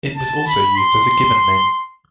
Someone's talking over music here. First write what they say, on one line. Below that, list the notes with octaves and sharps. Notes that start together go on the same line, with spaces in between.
It was also used as a given name.
A5
B5
C6